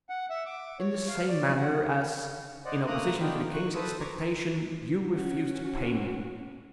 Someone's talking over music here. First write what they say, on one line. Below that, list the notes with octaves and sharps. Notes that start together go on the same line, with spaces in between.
"In the same manner, as, in opposition to the king's expectation, you refused to pay me."
F#5
E5
D6
C#5
F5
D5
F#5
C5 D5 D#5 F#5
A3 A#3 A#5 D#6 F#6
B3 D4 D#4 F4 G5
C#6 F#6
A4 B4 C5 D#6 E6
A#5 C#6 D6
C#4 F#4